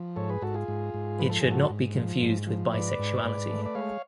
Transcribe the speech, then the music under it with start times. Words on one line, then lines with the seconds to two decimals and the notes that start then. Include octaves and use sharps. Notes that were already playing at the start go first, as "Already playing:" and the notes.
It should not be confused with bisexuality.
Already playing: F3
0.16 G#2 A4 C#5
0.30 G#4 B4
0.42 G#2 F#4 A4
0.54 F4 G#4
0.68 G#2
0.94 G#2
1.19 F3 B4
1.30 A4
1.40 G#2 G#4
1.51 F#4 A4
1.70 G#2
1.95 F3
2.21 G#2
2.47 F3
2.73 G#2 B4 D5
2.99 G#2
3.24 G#2
3.49 A3
3.65 D5
3.75 G#3 C#5 F5